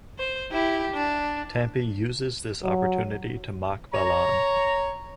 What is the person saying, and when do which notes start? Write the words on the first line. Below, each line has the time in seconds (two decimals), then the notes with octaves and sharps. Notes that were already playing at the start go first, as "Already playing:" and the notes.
Thampi uses this opportunity to mock Balan.
0.18 C5
0.51 E4 G4
0.94 D4
2.64 F#3
3.94 C#5 A#5